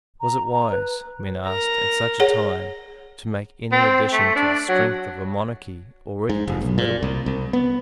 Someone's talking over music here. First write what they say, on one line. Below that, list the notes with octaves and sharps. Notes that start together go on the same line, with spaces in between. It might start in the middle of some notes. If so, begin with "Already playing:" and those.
Was it wise, men asked, at such a time, to make any addition to the strength of a monarchy already too formidable?
A#5
A#5
B4
A#4 A#5
G#4 C#5 F#5
C4
A3
D4
F#3
G#2
F1
B1
A#2
C2
C2
B3